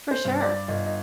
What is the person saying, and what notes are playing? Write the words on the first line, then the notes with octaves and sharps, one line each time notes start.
For sure.
C5
G2
D5
G1 D#5
D#5